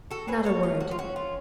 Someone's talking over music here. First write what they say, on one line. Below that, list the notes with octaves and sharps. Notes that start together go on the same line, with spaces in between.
"Not a word."
F#4 A4
F#3 G#4 B4
A4 C#5
C#4 F4
F#4
F4
C#4 F#4
F4